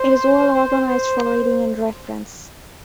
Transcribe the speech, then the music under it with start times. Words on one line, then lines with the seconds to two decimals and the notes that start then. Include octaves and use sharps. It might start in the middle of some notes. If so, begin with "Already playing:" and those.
It is well organized for reading and reference.
Already playing: C5